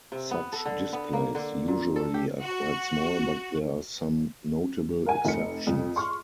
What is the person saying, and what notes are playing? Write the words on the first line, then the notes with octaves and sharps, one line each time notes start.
Such displays usually are quite small, but there are some notable exceptions.
C3
B3
A4
D3
B3
A#3
D3
A#2
A4
G4
F#4
A#4 F#5 G#5
F1 C#7
F2
C6 C#6 F6